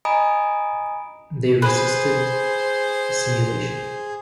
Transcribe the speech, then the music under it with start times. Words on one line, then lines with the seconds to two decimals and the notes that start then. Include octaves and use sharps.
They resisted assimilation.
0.05 D#5 G#5 A#5 B5 D#6 D7
1.62 G#4 B4 C5